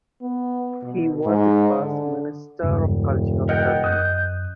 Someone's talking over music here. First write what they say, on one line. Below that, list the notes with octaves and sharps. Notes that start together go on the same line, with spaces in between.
He was the first Minister of Culture of Turkey.
B3
B2
G#2
D3
E1 E2 G2 C#3
A#4 D#5 F#5 G5
F#2 D#6 F#6 G6